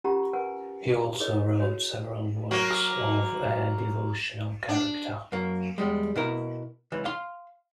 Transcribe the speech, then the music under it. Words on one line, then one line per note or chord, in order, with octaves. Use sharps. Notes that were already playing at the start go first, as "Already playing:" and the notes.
He also wrote several works of a devotional character.
C#4 F4 G4 A#4 F#5 A#5
A#4 B4 F#5 G#5
E4 G#4 A#4 C#5 D#5
F#4 C#5
F#3 A#3 F#4
D4
F#2 A#3
E2 G3 G#3
B2 E4 A#4
C#2 E3
F5 C6